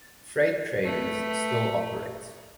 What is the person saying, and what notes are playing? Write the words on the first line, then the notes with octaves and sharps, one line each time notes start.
Freight trains still operate.
A3 B4